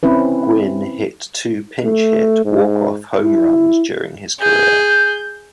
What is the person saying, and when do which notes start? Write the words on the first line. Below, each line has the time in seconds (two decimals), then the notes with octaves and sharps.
Gwynn hit two pinch-hit walk-off home runs during his career.
0.03 C4 C#4 E4 B4
1.85 A3
2.45 G#2
3.25 E4
4.40 G#4 G6